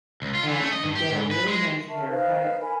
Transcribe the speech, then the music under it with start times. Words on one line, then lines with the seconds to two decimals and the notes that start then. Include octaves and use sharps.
and you get a really nice haircut,
0.22 C#2
0.35 F4
0.49 E3
0.61 A3
0.72 D#5
0.83 G2
0.95 G4
1.11 G#2
1.31 B4
1.48 G#3
1.88 A#4 E5 A5 C#6
2.09 D#4 B4 C5 F5
2.60 A#4 G#5 B5